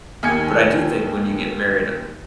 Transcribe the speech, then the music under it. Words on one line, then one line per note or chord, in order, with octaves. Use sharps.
but I do think when you get married,
D#2 D#3 G#5 G#6 C#7